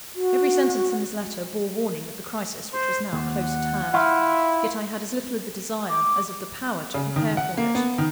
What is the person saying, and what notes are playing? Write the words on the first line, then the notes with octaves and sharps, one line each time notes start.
Every sentence in this letter bore warning of the crisis which was now close at hand; yet I had as little of the desire as of the power to prepare for it.
F#4
C5
D#2 F#5
E4 F4
D6
C#3
D#3
F#5
A#3
B3
D#3